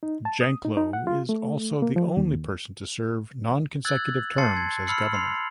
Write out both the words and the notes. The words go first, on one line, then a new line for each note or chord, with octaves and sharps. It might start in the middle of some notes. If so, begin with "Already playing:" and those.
Janklow is also the only person to serve non-consecutive terms as governor.
D#4
A5
D#6
D#4
D#4
F#5
F4
A3
A#3
F3
D#2
E6 F#6 G#6 A6 F#7
A5 C6 A6 C7 C#7
G#6
B5 E6 F6 C7 C#7 F#7
C6 C7 F7